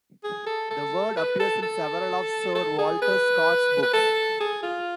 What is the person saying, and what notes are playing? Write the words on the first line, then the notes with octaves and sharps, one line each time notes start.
The word appears in several of Sir Walter Scott's books.
G#4
A4
A4
B4
A4
A4
A4
G#4
B4
B4
A4
G#4
F4